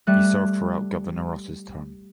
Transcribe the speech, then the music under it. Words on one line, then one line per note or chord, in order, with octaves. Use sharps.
He served throughout Governor Ross's term.
G3 A3 F#6